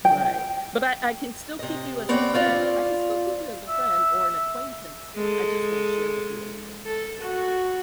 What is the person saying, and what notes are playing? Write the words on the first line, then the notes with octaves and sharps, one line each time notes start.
Right, but I I can still keep you as a friend, I can still keep you as a friend or an acquaintance, I just won't share with you anymore.
G5
C3 D#5
B3 C4 C#5 D5 G5
C4 F4 D5
E5
G#3 A4
A4
F#4